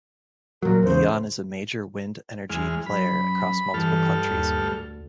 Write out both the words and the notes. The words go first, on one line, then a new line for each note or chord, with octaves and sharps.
Eon is a major wind energy player across multiple countries.
A#2 F#3 A#4
E2 C#3 C5
E2 G#3 F6
F#2 B5
G2 E3 A4 F6
D#2
D2